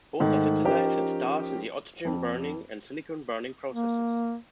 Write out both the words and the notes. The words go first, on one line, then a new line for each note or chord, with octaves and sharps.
Both are synthesised in stars in the oxygen-burning and silicon-burning processes.
G#2 D#3 A3
F3 C#4 D#4 G4 A#4
F2
A#3